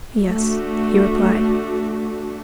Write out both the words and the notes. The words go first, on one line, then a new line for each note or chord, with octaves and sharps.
"Yes," he replied.
A3 D4 F#4